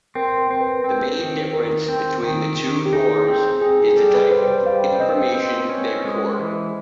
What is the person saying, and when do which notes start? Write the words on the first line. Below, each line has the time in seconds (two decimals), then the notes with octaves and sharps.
The main difference between the two forms is the type of information they record.
0.15 C4 A#4
0.38 A#4
0.51 C4
0.61 B4
0.84 C4
1.19 D#3
1.53 D#3 A#4
1.88 C4
2.23 D#3
2.57 D#3
2.86 G4
2.93 D#4 G#4
3.27 C4
3.61 D#4 G#4
3.80 G#4
3.96 G3 A4
4.14 B4
4.31 G3 C5
4.42 B4
4.53 C5
4.66 G3 F5
5.00 C4 D#5
5.35 C4
5.69 C#4
6.04 G#3
6.40 E3